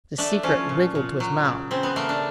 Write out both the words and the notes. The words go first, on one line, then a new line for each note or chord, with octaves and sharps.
The secret wriggled to his mouth.
A3 D4
F3 C#4
A#2
A#2
F#3
C#3
C#3 C4
B3
A3 A#3
D4